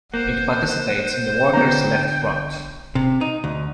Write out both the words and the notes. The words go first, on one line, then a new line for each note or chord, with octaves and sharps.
It participates in the Workers' Left Front.
A#3 C5 F#5
D3 B3 G5 A#5
C3
D#4
D2